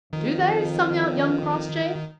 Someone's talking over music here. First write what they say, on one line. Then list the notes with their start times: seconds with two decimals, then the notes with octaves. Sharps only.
"Do they?" sung out young Crossjay.
0.13 F2 D#3